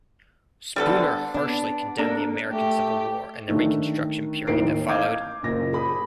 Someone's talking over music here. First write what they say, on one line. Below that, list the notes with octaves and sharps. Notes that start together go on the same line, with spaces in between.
Spooner harshly condemned the American Civil War and the Reconstruction period that followed.
D3 G3 B3 A4
B3 D4
A#3 D4 A4
A3 G4
D3 D#3 A3 D4 D#4
A1 D#2 E3 A#4 C7 D7
D#5 F5 D6 G6 G#6
F#1 A#2 A#6
G#4 B5 D#6